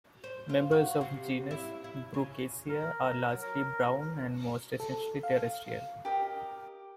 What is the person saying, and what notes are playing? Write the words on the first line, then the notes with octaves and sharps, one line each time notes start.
Members of the genus "Brookesia" are largely brown and most are essentially terrestrial.
C5
F4
F#4
C3
E4
E4
C#3
A#4
F#3
A#4
A4
F5
G4 A#4 D#5